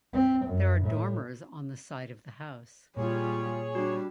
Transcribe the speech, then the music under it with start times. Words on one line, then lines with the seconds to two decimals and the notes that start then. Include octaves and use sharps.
There are dormers on the side of the house.
0.13 C4
0.44 F#2
0.81 A2
2.97 A#2 G3 F4 G#4 C#5
3.75 G3 D4 F#4